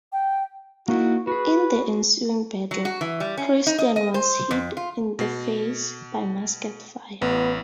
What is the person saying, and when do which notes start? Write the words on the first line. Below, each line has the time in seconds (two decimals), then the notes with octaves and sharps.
In the ensuing battle, Christian was hit in the face by musket fire.
0.13 G5
0.88 A#3 D#4 E4 F#4
1.27 F#4 G#4 B4
2.71 F#3
2.85 F#4
3.01 E3
3.20 G3
3.38 C#4
3.67 D#4
3.78 D#5
3.96 D#5
4.14 C5
4.51 F2
4.77 F4
5.19 B2 C7
7.22 A1 B3